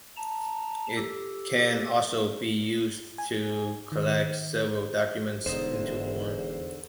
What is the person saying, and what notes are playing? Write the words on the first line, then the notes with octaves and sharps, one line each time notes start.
It can also be used to collect several documents into one.
A5 A#5
G4 A4
G#5
D#3
E1 E2 D3 D#4 C5